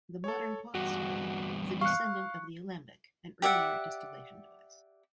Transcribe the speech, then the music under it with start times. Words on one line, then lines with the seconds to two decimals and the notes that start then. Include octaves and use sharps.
The modern pot still is a descendant of the alembic, an earlier distillation device.
0.24 A4 C#5
0.75 E2 G2 F#4
1.81 F5 C#6 F#6 C#7
3.42 G4 D5 E5 F#5